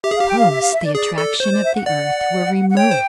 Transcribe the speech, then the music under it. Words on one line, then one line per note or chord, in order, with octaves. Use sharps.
Suppose the attraction of the earth were removed?
G4 E5
G#4
G4 F5
G5
F5
E5
F5
E5
D5
G#4 D5
A4
C5 C#5
D5
E5
F#5
D5 F#5
F#5
C#5 G5
C5